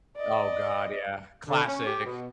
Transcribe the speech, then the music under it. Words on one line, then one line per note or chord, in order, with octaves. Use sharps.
Oh God, yeah, classic.
D5 D#5
D3
C#4
G4
B2